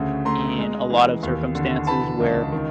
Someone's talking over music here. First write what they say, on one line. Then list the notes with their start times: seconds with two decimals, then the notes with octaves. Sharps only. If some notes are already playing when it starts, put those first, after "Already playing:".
in a lot of circumstances where,
Already playing: D2 C#3 A3
0.25 A3 A#5 C6
0.59 G#3
0.90 E3
1.23 D#2
1.55 D3
1.87 E3 A5 B5
2.20 C#2
2.52 D#3